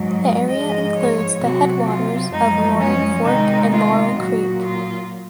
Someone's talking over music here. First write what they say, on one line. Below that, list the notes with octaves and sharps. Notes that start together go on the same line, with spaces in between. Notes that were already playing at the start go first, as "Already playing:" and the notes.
The area includes the headwaters of Roaring Fork and Laurel Creek.
Already playing: G#2 F#3
G#2 F3 G#3 D#5
C#5
C3 F#3 F#4
F4
F#2 F3 G#3 D#4
C#4
C3 D#3 G#3 D#4
F4
A#2 F#3 F#4
F4